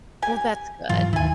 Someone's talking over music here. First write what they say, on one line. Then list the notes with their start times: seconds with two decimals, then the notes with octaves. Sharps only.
Well, that's good.
0.22 G4 G#5
0.89 G#2 E3 F#3 F4
1.13 F1 D#2 D#3 E4 G#5